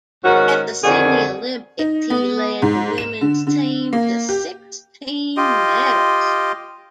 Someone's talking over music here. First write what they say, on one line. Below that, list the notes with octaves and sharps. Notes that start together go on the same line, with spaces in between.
At the Sydney Olympics he led the women's team to sixteen medals.
G#2 D#3 C#4 F#4
F2 D3 D#3 F#4 G#4 D5
D#4
B3
G#2
E7
D3
D3
A#3
G4
F4 G4 D#5